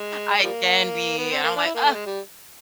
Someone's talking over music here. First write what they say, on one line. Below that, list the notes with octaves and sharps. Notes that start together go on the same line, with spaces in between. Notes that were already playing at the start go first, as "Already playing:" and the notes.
I can be. And I'm like, "Ugh.
Already playing: G#3
F3 G3 A#3
B3
C4
A#3
D4
E4
A#3
A3
G#3
G3